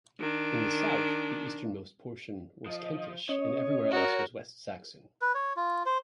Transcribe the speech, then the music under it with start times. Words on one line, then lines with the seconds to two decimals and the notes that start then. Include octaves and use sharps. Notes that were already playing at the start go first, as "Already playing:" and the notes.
In the south, the easternmost portion was Kentish and everywhere else was West Saxon.
0.19 D#3 D4
2.66 F3 D#5
3.29 C#4 C#5 D#5
3.91 F#4 A#4
5.22 B4
5.34 C#5
5.56 F4
5.86 C5